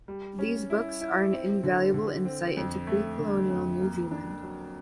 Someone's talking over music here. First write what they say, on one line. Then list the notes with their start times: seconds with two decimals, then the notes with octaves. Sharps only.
These books are an invaluable insight into pre-colonial New Zealand.
0.08 G3
0.39 C#4
0.70 E4
1.01 E4
1.32 C4
1.63 D3
1.94 D3
2.25 C4
2.57 F2
2.87 A3
3.18 D3
3.50 F2
3.81 A#3
4.11 D4
4.43 F#3